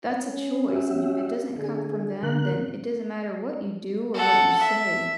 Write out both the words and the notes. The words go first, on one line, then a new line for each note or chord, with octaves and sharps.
That's a choice, and if it doesn't come from them, then it doesn't matter what you do or what you say.
C#4
F#4 G4 E5
D3 G#4
D3 A#4 F#6
A4 F#5
E5